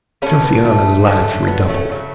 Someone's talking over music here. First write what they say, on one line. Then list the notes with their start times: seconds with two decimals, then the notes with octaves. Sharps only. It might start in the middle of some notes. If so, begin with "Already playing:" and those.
Josiana's laugh redoubled.
0.22 A2 G3 A3 C#4
0.44 B3
0.65 A3
1.06 D3 F#3 A3
1.48 B3
1.68 A3 C#4
1.89 C#3 F#3 A3